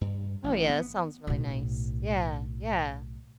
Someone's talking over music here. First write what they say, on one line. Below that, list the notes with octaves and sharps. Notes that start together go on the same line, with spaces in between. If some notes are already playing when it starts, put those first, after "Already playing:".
Oh, yeah, that sounds really nice. Yeah, yeah.
G2
A1
B3
B1 A2